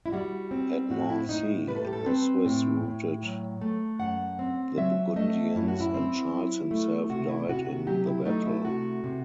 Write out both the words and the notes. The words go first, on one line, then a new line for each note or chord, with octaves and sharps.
At Nancy, the Swiss routed the Burgundians, and Charles himself died in the battle.
E4
G3 F#4
C4
A2 F#4
E4
A2 D#4
G3 B4
A4
G4
A4
C4 B4
A2 G5
A2
F#3
A3
F#2 F#5
C4
F#3 E5
A3 D#5
F#2 E4
F#4
E4
C4
F#3
A3
C3 F#4
E4
C3 F#4
F#4
F#3 G4
E4
A3 D#4
E4
C3 F#4
C3